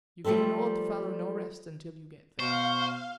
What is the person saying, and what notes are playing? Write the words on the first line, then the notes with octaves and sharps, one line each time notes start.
You give an old fellow no rest until you get there.
F3 G3 A3 C4 A4
B2 C5 F5 C#6